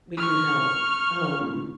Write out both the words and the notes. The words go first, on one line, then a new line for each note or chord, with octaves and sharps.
we can help, um
C#6 F6